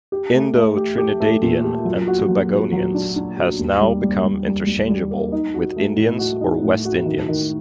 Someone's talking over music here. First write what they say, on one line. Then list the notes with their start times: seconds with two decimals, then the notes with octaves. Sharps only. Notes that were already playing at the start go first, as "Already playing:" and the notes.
Indo-Trinidadian and Tobagonians has now become interchangeable with Indians or West Indians.
0.12 G4
0.33 A3
0.55 A3
0.76 G4
0.98 G4
1.20 A3
1.42 A#2
1.64 G4
1.85 F#3
2.07 F#4
2.28 F#3
2.50 F#4
2.72 F#3
2.94 D4
3.16 D4
3.37 F#4
3.59 D#2
3.81 G3
4.02 G3
4.24 G3
4.46 G3
4.67 G3
4.89 G3
5.11 A#3
5.32 D#4
5.54 F#4
5.76 A3
5.97 A2
6.19 F#4
6.41 D#4
6.62 A2
6.85 F#4
7.05 D#3
7.28 D#3